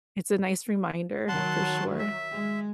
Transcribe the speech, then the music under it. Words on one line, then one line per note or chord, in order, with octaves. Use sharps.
it's a nice reminder, for sure,
D#3 F#3 F#5 A5 C6
E5
G#3